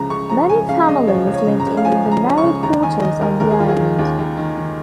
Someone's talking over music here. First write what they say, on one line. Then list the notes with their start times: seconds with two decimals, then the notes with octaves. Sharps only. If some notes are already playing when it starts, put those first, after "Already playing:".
Many families lived in the married quarters on the island.
Already playing: C#2 C#3 F3 A#5
0.10 C#2 C#6
0.29 F3 A#5
0.49 C#2 G#5
0.69 C#3 F5
0.88 C#2 D#5
1.07 F3 C#5
1.27 C#2
1.34 C#5
1.47 C#3
1.60 A#5
1.66 C#2
1.77 F5
1.85 F3 G#5
2.05 C#2
2.11 A#5
2.24 C#3
2.38 C#6
2.43 C#2
2.63 D#2 A#5
2.82 D#3 G#5
3.02 D#3 D#5
3.21 D#2 A#4
3.40 D#2 A#4
3.51 G#4
3.59 D#3 F4
3.69 G#4
3.80 D#3
3.99 D#2
4.19 D#2
4.37 D#3
4.57 D#3